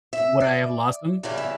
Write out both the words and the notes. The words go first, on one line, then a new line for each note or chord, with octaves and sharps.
Would I have lost them?
E5
D5
E2 C#3 E3 G3 D5
E5